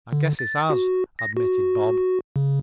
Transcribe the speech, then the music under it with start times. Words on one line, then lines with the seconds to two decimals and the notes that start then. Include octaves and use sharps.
"I guess it has," admitted Bob.
0.13 D3
0.39 A6
0.70 F#4
1.19 A#6
1.37 F#4
2.36 C#3